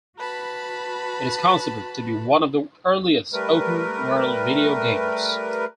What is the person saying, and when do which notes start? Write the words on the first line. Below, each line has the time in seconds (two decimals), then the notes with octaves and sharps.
It is considered to be one of the earliest open world video games.
0.16 F#4 B4 A5 B5
3.33 G3 A3 A#4 B4